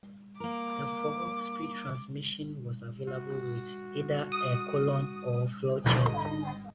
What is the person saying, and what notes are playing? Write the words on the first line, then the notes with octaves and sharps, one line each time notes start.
The four-speed transmission was available with either a column or floor change.
A#3 A#4 D6
F#4
D#6
G#1 D3 D#5